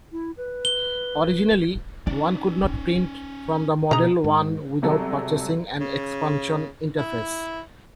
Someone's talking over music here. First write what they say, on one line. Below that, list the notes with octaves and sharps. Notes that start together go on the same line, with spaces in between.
Originally, one could not print from the Model One without purchasing an Expansion Interface.
E4
B4
G7
C#4 D#4 D5
B2 G#3 D#4 A#5
G#2
G1 C3 F#3 G#4 A4
C#3
E4